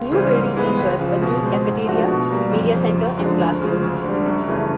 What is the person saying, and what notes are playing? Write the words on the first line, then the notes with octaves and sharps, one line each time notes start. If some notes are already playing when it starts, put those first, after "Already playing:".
The new building features a new cafeteria, media center and classrooms.
Already playing: C#2
C#3 E3 G3 C4
G#2
E3 G#3 B3
C#2
C#3 F3
B2
G#3 C4
G#2
F3 A3 D4 F#4
B2
G3 A#3
F2
C#3 F3
F#2
D3 F3 G#3
D2
C#3 F3 G#3
D2
D3 G3
F#2
C#3 E3 A3